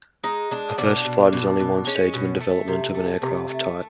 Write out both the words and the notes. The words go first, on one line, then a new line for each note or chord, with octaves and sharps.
A first flight is only one stage in the development of an aircraft type.
G#3 D#4
G#3 D4
B2 D4
B2
B2
B2
G#3 C#4
B2
A3
C3
A3
C3
A3